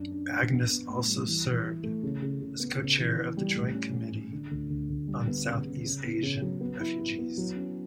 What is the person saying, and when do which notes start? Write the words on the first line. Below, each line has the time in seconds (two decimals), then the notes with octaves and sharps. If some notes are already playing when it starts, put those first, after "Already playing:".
Agnos also served as co-chair of the Joint Committee on South East Asian Refugees.
Already playing: F#2 D4
0.12 D4
0.31 D4
0.51 B3
0.70 B3
0.89 A2
1.08 G3
1.27 E3
1.45 E3
1.64 E4
1.84 A3
2.03 C#3
2.22 C#3
2.42 C#3
2.60 B3
2.79 C#3
2.98 E3
3.17 E3
3.37 G3
3.55 A2
3.75 C#4
3.93 A2
4.13 A2
4.32 D3
4.51 D2
4.70 D2
4.90 D2
5.08 G3
5.28 B3
5.47 C#3
5.65 C#3
5.85 C#3
6.04 B3
6.23 C#3
6.42 F#3
6.61 B3
6.80 E4
6.99 E4
7.19 B3
7.38 F#3
7.57 C#4